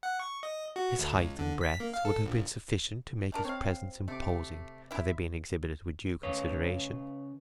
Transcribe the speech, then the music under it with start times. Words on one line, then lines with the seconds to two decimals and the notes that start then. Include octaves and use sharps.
His height and breadth would have been sufficient to make his presence imposing, had they been exhibited with due consideration.
0.03 F#5
0.20 C#6
0.43 D#5
0.76 F#4
0.99 D2
1.17 C#2
1.39 D3
1.61 B6
1.80 A#3
1.94 F5
2.05 A4
2.26 A#1
3.32 A3 D4 A#4
3.45 C4 C#5 F5
4.08 C3 A3 D6
4.91 E4 E5
6.23 C#3 B4 C#5